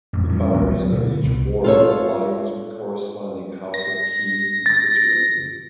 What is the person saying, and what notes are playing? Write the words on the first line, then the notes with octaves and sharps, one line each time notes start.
The boundaries of each ward aligns with the corresponding House of Keys Constituency.
A1 F2
G2 F3 G3 C#4
G#1 C#2
F#3
B2 D3 G#3 B3
C2
F4 A4 C#5
A#6
A6